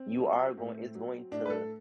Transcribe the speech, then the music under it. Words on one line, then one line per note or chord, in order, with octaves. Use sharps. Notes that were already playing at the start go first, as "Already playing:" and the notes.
you are goin it's going to,
Already playing: C4
F#3
A2
F#3
A2 D4
B4
A4